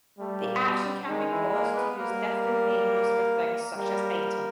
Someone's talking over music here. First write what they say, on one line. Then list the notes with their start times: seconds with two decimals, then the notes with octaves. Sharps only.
The action can be paused to use different menus for things such as item.
0.19 G3 A3
0.41 A#2 A#3
0.64 B2 B3
1.04 D4
1.08 D#3 G#3 D#4
1.31 E3 E4
1.53 A#3 A#4
1.76 B3 B4
1.98 G3 A#3 A#4
3.77 G3 A#3 A#4